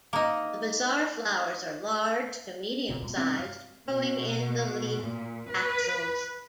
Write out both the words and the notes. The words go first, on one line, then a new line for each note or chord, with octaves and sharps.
The bizarre flowers are large to medium-sized, growing in the leaf axils.
A#3 D#4
A#2 C#3 C4
G2 B2 A3
C3
F5
B2
A#2
B4